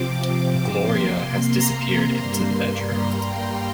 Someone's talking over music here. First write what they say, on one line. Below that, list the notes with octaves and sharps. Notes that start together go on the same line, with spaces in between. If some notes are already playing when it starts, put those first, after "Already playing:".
Gloria has disappeared into the bedroom.
Already playing: C3 F3 C4 D6
C3 A#3 C6
A#5
A#5
G2 G3 A#3 C6
C6
A#5
G5